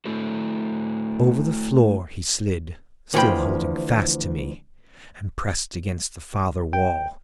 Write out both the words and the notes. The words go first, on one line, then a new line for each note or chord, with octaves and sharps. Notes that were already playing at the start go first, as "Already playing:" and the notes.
Over the floor he slid, still holding fast to me, and pressed against the farther wall.
A3 E4 F#4 A4
D2 E3 F3 F4 G5 B5
G5